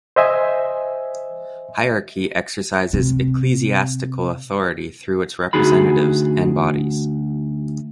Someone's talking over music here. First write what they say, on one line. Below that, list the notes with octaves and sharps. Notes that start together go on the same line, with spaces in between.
Hierarchy exercises ecclesiastical authority through its representatives and bodies.
C5 D#5 E5 G#5
C3
D2 D#4 F#4 G#4 B5